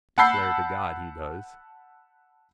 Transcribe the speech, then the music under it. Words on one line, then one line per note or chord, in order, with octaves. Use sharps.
Declare to God he does.
F#5 A5 B5 E6 G6 C7